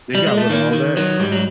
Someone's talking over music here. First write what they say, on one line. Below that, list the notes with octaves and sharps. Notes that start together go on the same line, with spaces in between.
They got rid of all that,
G3
G#3
A3
D#3 A#3
D#3
D#3 F#3
G#2 G3
F#3